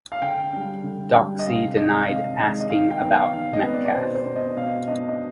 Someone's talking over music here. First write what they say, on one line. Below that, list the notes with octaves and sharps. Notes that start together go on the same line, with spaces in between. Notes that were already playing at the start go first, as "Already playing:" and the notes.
Doxey denied asking about Metcalfe.
F5
D3 G5
G3 D4
D3
G3 D4
D#5
C3 F5
D#3 G#3 D4 D#5
C3 F5
D#3 G#3 D4 D#5
D#5
D#3 F5
G5
B3 D#4
F5
D#3 F5
D#5
B3 D#4
D5
D5
B2 C5
C5
B3 D4
D#5
B2 F5
B3 D4 D#5
D#5